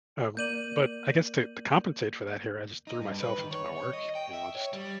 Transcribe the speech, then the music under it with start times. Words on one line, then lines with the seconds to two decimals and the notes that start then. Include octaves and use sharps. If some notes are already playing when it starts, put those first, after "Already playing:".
Um, but, I guess to to compensate for that here I just threw myself into my work, you know, I just
0.37 A#3 D5 G6 D#7 F#7
2.87 D#4
3.02 G2
3.20 B4
3.38 D#3
3.51 C#5
3.76 C#5
3.93 D#5
4.15 G5
4.33 E5
4.55 C#5
4.73 G3